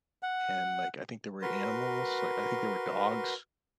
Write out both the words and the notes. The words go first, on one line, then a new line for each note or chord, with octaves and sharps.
and, like, I think there were animals, like, I think there were dogs,
F#5
F#4 A#4 B4 C6